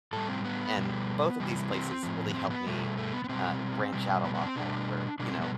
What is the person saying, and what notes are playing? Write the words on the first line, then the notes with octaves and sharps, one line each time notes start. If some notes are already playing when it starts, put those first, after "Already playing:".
And both of these places really helped me, uh, branch out a lot more where, you know,
A2 G3 A4
C4
B3
B2 G3
C3 E3 G3
C4
A2 F3
B3
C4
B3
B2 G3 A3
A3
B3
B3
B2 G3 C4
B2 G3
B3
B3
D4
C4
B2 G3 D4
B2 G3 D4
C4
B3